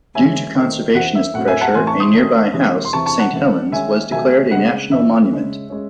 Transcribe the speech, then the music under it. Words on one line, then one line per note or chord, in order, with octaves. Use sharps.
Due to conservationist pressure, a nearby house, Saint Helen's, was declared a national monument.
E3 G#3 C#4 E5 G#5
D#3 A3 C4
E3 C4 F#5
E5
A2 F#3 C4 F#5
E5 G#5
F#5 A5
A2 E3 A3 C4 G#5 C6
A5 C#6
C6 D#6
D#3 A3 C#4
C3 E3 G#3 C#4
C6
C3 E3 C4 A5 C#6
A5 C#6
F#5 A5
E3 G#3 C4
D#3 G#3 C#4 E5 G#5
C3 D#3 F#3 A3 E5 G#5
C#3 G#3 C4 F#5
E3 C4 E5
C#3 G#3 C#4
G#3 C#4